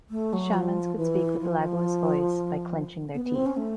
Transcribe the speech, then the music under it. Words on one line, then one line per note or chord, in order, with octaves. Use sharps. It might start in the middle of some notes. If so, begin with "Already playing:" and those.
Shamans could speak with Lagua's voice by clenching their teeth.
A3
F#3
F3
E3
F3
B3
B3
C4
C#4
A3